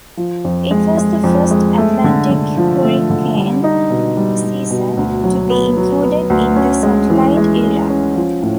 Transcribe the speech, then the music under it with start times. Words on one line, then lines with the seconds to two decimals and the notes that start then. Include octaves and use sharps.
It was the first Atlantic hurricane season to be included in the satellite era.
0.17 F3
0.45 F2
0.71 G#3
0.97 G#3
1.24 F2
1.51 G#3
1.78 A3
2.04 D3
2.31 D3
2.57 F3
2.84 A3
3.10 D3
3.37 G3
3.64 D#4
3.90 B2
4.17 G3
4.44 G3
4.70 B2
4.97 D2
5.24 F#3
5.50 B3
5.77 F#3
6.03 B3
6.30 D2
6.56 C#4
6.83 G#3
7.10 E3
7.37 G#3
7.63 C#4
7.89 C#4
8.16 F3
8.43 A2